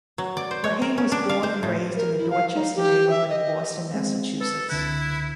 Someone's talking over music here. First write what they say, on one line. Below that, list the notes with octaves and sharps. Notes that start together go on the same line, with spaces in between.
Lehane was born and raised in the Dorchester neighborhood of Boston, Massachusetts.
F#3
D5
C5
C#5
A#4
C#4
D4
F5
C5
A2
A#4
E4
F5
D#4
G4
E5
D#5
G#3 C4
A4 B4
C#2 D3 E4 F#6